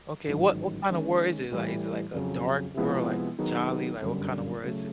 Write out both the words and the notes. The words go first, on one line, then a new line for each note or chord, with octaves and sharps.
Okay, what what kinda world is it like, is it, like, a dark world, like, jolly, like, what kinda world is it?
A1 G#2 D#3 F#3
D#3 G#3 C#4
A2 E3 G3
F2 C#3 F#3
C3 F3 G#3 B3 E4
D#3 F#3 B3 D#4 G#4
G1 F#2 D3 G3
C#3 F#3 A3